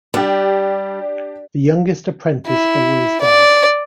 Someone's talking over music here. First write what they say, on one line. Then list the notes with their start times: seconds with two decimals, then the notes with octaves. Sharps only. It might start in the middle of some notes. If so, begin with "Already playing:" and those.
The youngest apprentice always does.
0.14 G3 D4 G4
2.47 E4
3.21 D5